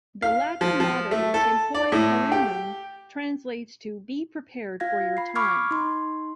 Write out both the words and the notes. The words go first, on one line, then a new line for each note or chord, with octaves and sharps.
The Latin motto "Tempori Parendum" translates to 'Be prepared for your time'.
F5
F3
F3
A3
A4
D5
A2
G4
F4 F5 G#6 A#6
B5 C7
B5 C#6 D6 F6 G#6
D#4 C6